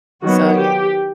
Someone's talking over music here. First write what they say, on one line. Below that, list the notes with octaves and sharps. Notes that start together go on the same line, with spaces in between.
so yeah.
D#3 F#3 B3 F#4
G4